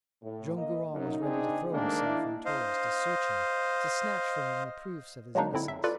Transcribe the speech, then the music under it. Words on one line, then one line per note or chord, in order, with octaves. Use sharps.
Joam Garral was ready to throw himself on Torres, to search him, to snatch from him the proofs of his innocence.
A2
A#3 D#5
F#2 C#3 D#4
C4 D4 G#4
D2 D#3 G#3 A#3 D4
E4
C5 D#5 F5
F#3 G#3 A#3 D4 D#4
D3 C4 E4
E5
F4 A4 B4 D5